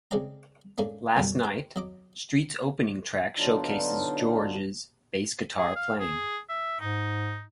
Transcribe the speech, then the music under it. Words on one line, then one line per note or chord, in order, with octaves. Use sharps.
"Last Night", "Street"s opening track, showcases George's bass-guitar playing.
C#3 G#3 C4 D5 G5 A#5
G#2 A3 A#3 C#4 D4
B1 F#2 G3
G4 C5
F#3 D#5 D6
B2 D3 F#3 D4 D#4 F4
G#4
F5
G#4
E5
G#2 D#4